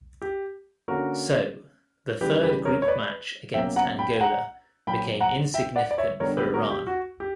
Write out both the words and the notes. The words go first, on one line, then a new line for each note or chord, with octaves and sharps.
So, the third group match against Angola became insignificant for Iran.
G4
D3 A#3 C#4 F#4 A#4
C#3 E3 G3 G4 B4
G4 B4
A#4 C#5
C#5
B4 D5
B2 F#3 A#3 C#4 E5 G5
F#5 A#5
G5 B5
G5
F#5 A#5
A#2 F#3 A#3 G5 B5
F#5 A#5
E5 G5
D5 F#5
D5
C#5 E5
D3 G3 B3 D4 A#4 C#5
G4 B4
F#4 A#4
G4
F#4
G4